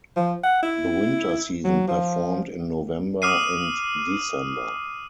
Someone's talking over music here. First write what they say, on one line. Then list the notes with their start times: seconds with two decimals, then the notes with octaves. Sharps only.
The winter season performed in November and December.
0.16 F3
0.44 F#5
0.63 E4
1.64 F#3
1.88 F3
3.22 D6 D#6 F6 C7 D#7